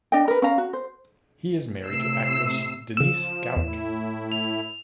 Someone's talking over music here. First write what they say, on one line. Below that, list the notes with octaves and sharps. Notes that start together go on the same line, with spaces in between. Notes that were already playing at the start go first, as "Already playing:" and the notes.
He is married to actress Denise Galik.
D4 D#5 G5
A#4 B4
C#4 F5 A#5
F#4
C5
A2 C3 E6 C7
C#3 F3 E6 E7
E2 A2 E4
F7